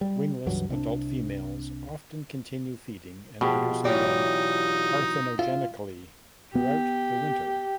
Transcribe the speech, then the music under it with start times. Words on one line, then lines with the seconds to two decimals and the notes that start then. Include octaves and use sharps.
Wingless adult females often continue feeding and producing young parthenogenetically throughout the winter.
0.01 G3
0.46 C#2 G2 E3 F#3
0.69 C2 C3 C4 D4
3.41 B2 F3 G4 G#4
3.85 E3 F#3 D#4 F4 G4 D5
5.39 F4 E5
6.55 B3 G4